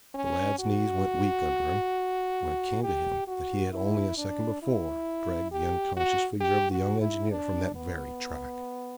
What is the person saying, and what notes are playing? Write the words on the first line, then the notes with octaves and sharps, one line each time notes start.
The lad's knees went weak under him when it came to him that he had only a second before dragged the unconscious figure of the young engineer from that very track.
C#4
F#4
G4
F#4
E4
D4
E4
G4
F#4
G4
F#4
E4
D4
B3